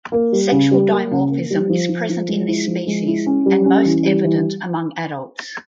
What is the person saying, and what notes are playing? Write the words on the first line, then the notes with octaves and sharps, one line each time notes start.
Sexual dimorphism is present in this species and most evident among adults.
A#3
G3
C#3
G3
A#3
C#3
A#3
G3
F3
F3
F3
G#3
E4
F3
G#3
E4
C#4
G3
C#4
E3
G3
E3